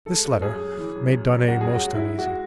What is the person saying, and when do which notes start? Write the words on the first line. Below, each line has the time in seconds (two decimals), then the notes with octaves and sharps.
This letter made Darnay most uneasy.
0.06 G#3 A4
0.24 F#2
0.42 F#2 G#4
0.60 F#2
0.77 E3
0.96 F#2
1.13 F#2
1.31 F#2
1.48 F#2 F#4
1.61 G#4
1.66 F#2
1.72 F#4
1.84 G#3
1.95 E4
2.02 G#3
2.19 G#3 F#4